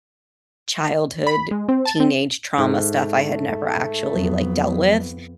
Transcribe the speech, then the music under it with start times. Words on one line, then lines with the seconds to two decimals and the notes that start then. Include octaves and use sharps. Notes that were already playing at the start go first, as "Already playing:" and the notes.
childhood, teenage trauma stuff I had never actually, like, dealt with,
1.27 B5
1.51 G#3
1.68 C4
1.85 A5
2.00 C4
2.58 G#2 A3
4.16 F2 F#3 B3